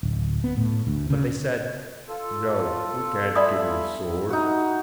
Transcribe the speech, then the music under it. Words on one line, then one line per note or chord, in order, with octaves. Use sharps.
But they said, 'No, we can't give you the sword.
D1
B3
A2
D2
C#3
F4 A4
D5 E5 G5 G#5 B5 D#6
D#4 F#4